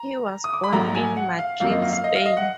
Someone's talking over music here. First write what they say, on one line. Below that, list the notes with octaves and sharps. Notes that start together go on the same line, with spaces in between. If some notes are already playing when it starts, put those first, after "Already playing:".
He was born in Madrid, Spain.
Already playing: A#5
D#6
D6
B5
A#1 G#2 F#3 A#5
G#5
F#5
F5
G#1 F#2 F3 A#3 F5
D#5
F5
F5
D#5
F5
D#5
F#5